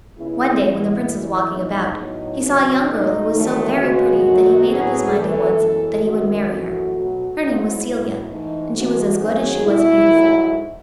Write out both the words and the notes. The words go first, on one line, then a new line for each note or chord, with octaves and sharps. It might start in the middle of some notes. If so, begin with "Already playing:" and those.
One day, when the Prince was walking about, he saw a young girl who was so very pretty that he made up his mind at once that he would marry her. Her name was Celia, and she was as good as she was beautiful.
C#3 G#3 B3 E4
A2 E3 G#3 B3 E4
F#2 E3 G#3
A2 G#3 B3 D#4
A2 F#3 B3
E2 C#3 F#3 C#4
B2 A3 D#4
E2 D#3 F#3 A3
C#3 G#3 B3 F#4
F#2 D#3 F#3 A3
A2 F#3 B3 G#4
F#2 E3 A3 A4
F#2 E3 G#3 B3
F#2 D#3 A3 F#4
F#2 E3 A3
B2 F#3 A3
G#2 F#3 B3 E4
A2 F#3 B3
G#2 E3 A3 D#4
G#2 E3 A3 F#4
F#2 D#3 F#3 B3 G#4
B2 A3 E4
G#2 F#3 A3